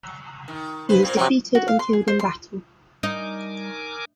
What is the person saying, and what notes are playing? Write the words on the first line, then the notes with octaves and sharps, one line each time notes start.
He was defeated and killed in battle.
D#3
G2 B4 C5
A#2 A#3 C4
C3 F3 F#3 C4 C#4
F#4
F5
C6
G#4
C5
C6
G3 D#4 A#4 G#5 D6